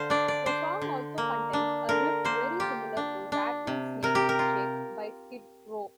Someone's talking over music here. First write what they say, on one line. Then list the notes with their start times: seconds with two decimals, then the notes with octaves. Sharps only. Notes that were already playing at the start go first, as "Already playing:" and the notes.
The song also contains a riff very similar to "Rattlesnake Shake" by Skid Row.
Already playing: D3 C5 F5
0.10 D4 D5
0.28 D5
0.46 D4 C5
0.81 D3
1.18 A#3
1.53 D4
1.89 D3 A#4
2.25 A#3 C5
2.60 F4 G4
2.97 D4
3.32 D4
3.67 C3
4.03 C3 A#4
4.15 G4
4.29 A#4
4.39 F4